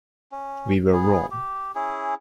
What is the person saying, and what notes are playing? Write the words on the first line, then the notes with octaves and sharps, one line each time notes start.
We were wrong.
C#4
B3 G#4
G4
C#4 E4 G#4